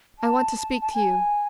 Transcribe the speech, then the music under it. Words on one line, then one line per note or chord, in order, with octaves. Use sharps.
I want to speak to you.
A5
A5
G#5